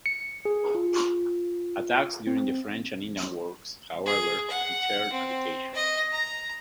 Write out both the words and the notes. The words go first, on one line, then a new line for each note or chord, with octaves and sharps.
Attacks during the French and Indian Wars, however, deterred habitation.
C#7
G#4
F4
C4
G#4
F#5
C4
D#5
A#5